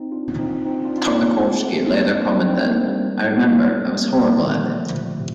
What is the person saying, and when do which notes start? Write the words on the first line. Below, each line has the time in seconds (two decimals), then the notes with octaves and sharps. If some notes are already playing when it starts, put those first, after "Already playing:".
Tartakovsky later commented, I remember, I was horrible at it.
Already playing: C4 D#4
0.12 D4 F4
0.39 C4 D#4
0.65 C4 D#4
0.85 D4 F4
0.98 F4
1.05 C4 D#4
1.26 A#3 D4
1.45 A3 C4
1.56 A#3
1.65 A3 C4
1.85 A#3 D4
2.05 A#3 D4
2.25 C4 D#4
2.45 A3 C4
2.65 G3 A#3
2.77 C4
2.85 G3 A#3
3.85 A3 C4
4.05 G3 A#3
4.20 G3
4.25 F3 A3
4.39 D#3
4.45 A#2 D3
4.66 F3 A3
4.92 A#2 D3
5.19 A2 C3